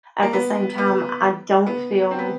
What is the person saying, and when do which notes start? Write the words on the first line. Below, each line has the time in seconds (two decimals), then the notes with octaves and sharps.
at the same time, I don't feel
0.23 A#3
0.33 B3
0.78 B3
1.66 B3
2.11 C4
2.19 B3